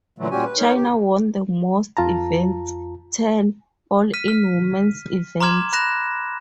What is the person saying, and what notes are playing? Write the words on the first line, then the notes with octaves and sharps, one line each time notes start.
China won the most events, ten, all in women's events.
A#2 D3 E3 F#3 A3
A#2 G3 C#4 F#4 G4 G#5
B4
D#4 A#4 C#5
G4
F2 F4 A5 A#5
F6 B6 D#7
F6
A#5 C6 D6 F6 G#6 E7
B5 F#6 A#6 E7